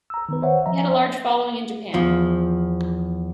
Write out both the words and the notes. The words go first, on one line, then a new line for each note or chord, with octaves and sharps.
He had a large following in Japan.
A#5 E6
D#3 B3 B4
C5 C#5 E5 F#5
F3 D#5 E5 A#5
E2 F3